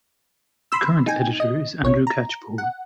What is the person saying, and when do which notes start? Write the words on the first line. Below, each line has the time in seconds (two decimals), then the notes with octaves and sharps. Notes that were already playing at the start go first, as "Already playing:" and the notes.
The current editor is Andrew Catchpole.
0.72 B5 C6 E6
1.07 D#4 G5 G#5
1.40 D#5
1.83 A#1 C#5
2.07 A#5
2.58 F#5